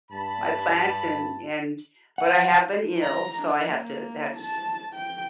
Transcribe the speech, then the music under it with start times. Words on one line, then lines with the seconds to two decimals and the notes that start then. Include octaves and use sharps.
My plants and and but I have been ill so I have to that just
0.11 G2 A5 B5
2.18 F#5
3.02 A#5
3.43 D4
3.72 A#3
4.37 A5
4.94 G5